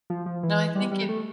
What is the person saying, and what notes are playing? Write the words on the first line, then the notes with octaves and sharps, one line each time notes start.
No. I think if
F3
F3
E3
G3
G3
A3